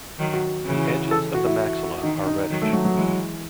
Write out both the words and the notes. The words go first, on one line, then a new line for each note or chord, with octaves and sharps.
The edges of the maxilla are reddish.
D#3 F#3
F#4
C#3 E3
A4
F#4
E4
D#3 D#4
D#4
D#3 F#3
A3
F#3
F#3
E3 G#3